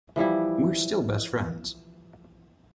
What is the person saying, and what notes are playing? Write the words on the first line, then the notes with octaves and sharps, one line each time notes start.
We're still best friends.
E3 F3 G3 E4